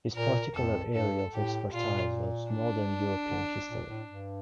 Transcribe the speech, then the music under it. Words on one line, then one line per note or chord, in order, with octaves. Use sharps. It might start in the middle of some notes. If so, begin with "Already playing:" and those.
His particular area of expertise was modern European history.
A#2 A#4
F2 A4
G2 A4
A2 G4
A#2 F4
D4
D3
A#2
A2
G2